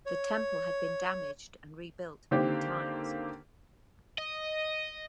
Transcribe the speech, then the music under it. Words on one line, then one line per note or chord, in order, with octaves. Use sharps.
The temple had been damaged and rebuilt many times.
C#5
D3 D#3 A#3 C4 G4
D#5